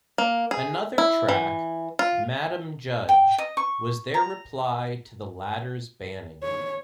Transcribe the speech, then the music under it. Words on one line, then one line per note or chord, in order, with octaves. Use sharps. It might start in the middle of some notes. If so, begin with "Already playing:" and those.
Another track, "Madam Judge", was their reply to the latter's banning.
A#3
G#4
E4
E3
F4
G5
D#5
C#6
A#5
C#5